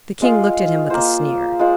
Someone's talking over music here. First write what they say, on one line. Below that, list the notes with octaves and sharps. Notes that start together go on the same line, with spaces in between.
The King looked at him with a sneer.
G#3 F4 G#4 F5
A#3 F4 C5
G#3 F4 C5